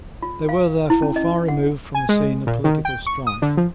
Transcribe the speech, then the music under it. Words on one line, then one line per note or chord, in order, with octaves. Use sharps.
They were, therefore, far removed from the scene of political strife.
F4
F5
E4
C#4
D#5
F#5
G#5
G#3
A#2
D#3
G5
C#6
D#6
D3
F3